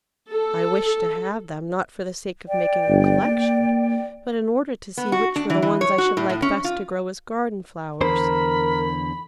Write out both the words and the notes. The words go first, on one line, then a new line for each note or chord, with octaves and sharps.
I wished to have them, not for the sake of making a collection, but in order to see which were the ones I should like best to grow as garden flowers.
A4
D5 G5
G1
A#3
B3
F#4
D4
E3
E3
C#5
F#4
A2
A2
C#4
F4
E2 D3 A#4 C5 B5